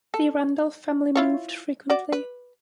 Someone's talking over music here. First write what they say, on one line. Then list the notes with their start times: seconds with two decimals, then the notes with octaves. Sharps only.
The Randolph family moved frequently.
0.14 A4
1.16 E4 F4 C#5
1.90 F#4 D5
2.12 B4